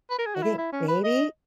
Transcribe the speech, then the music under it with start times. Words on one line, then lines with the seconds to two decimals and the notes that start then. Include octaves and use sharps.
I think, maybe?
0.10 B4
0.19 A#4
0.26 G#4
0.35 F#4
0.43 E4
0.58 E4
0.73 C#4
0.88 B4
1.04 D#5